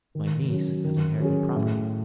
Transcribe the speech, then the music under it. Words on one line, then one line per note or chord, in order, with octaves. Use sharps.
"My niece has inherited property."
D#3
F#3 C#4
D#3
F#3 C#4 G#4
A2